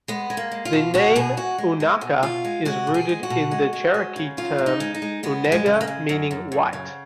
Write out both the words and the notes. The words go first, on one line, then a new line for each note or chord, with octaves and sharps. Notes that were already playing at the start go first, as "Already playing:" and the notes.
The name "unaka" is rooted in the Cherokee term "unega", meaning "white".
G#3 B3
G#3
A#3
G#3
F4
B2
B2 F#4
B2 G#4
G#3 F#4
G#3
G#3
B2
B2 F4
G#3
G#3 F#4
B2
G#4
G#3
F#4
B2
G#3
G#3
G#3
C#3
F#2 F4
C#3
D#4
G#3
D#4
G#3
G#3 B3
F#2
G#3
C#3
A#3
G#3
F#2
F#2
F#2
C#3